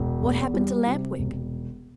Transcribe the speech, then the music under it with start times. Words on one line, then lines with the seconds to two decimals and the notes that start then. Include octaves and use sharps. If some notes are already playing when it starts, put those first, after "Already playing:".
What happened to Lamp-Wick?
Already playing: E1
0.22 E2
0.54 G3
0.87 C3
1.19 E1